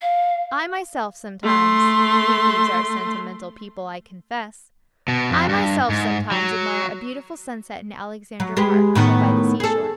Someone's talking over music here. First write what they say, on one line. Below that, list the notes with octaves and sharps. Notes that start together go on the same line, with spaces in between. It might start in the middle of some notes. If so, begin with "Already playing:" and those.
I myself sometimes--we thieves are sentimental people, I confess--I myself sometimes admire a beautiful sunset in Aleksandra Park or by the sea-shore.
F5
A3 C6
B2
F2
G2
G#2
F#3
F#3
G#3 G4 B4
A2 D#3 B3
G#4 A4